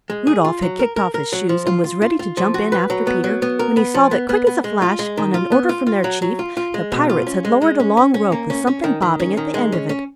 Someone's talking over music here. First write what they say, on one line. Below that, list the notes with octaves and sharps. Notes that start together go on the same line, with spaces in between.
Rudolf had kicked off his shoes and was ready to jump in after Peter, when he saw that quick as a flash, on an order from their Chief, the pirates had lowered a long rope with something bobbing at the end of it.
G#3
G#4
F4
F#3
A#4
A#4
A#4
F#3
F3
F4
F4
F4
F4
F3
F#4
B4
F#3
B3
F#3
B3
A#4
B3
F3
B3
B3
B3
G#3
F4
G#3
D#3
F4
B3
F4
F4
F#3
F#3
F4
F4
G#3
B2
F4
C#4
G#3
G#3
C#4
C#4
C#4
A#3
C#4
C#4
D#3
D#3
C#4
D#3
G#3
C#4
C#4